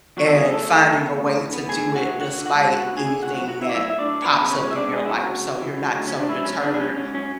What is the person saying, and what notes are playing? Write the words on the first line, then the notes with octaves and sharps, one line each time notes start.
and finding a way to do it despite anything that pops up in your life, so you're not so deterred
E2 F#3 F#4
A4
C#3 G#3 G#4
F#3 A3 A4
A3
E2
C#3
A2
E3
B3
A2 G#4 G#5
A2
F#4 F#5
E3
D2 F#4 F#5
D3
F#4 F#5
G#3
B3 F#4 F#5
D2
G#4 G#5
D3
A2 F#4 F#5
F#3 F#4 F#5
F#4 F#5
B3 E4 E5
D5
A2 E4 E5
A2 E5
D4 D5
F#3
E2 B3 B4
C#3
C#4 C#5
G#3
E5
B3 D4 D5
E2 G#3 G#4
E4
C#3 F#3 F#4
D2
C#3
E3
G#3
D2
C#3 C#4
D4
G#2 E3 E4
F#3 C#4
B3 D4
D4
G#2 C#4
G#2 C#4
F#3 C#4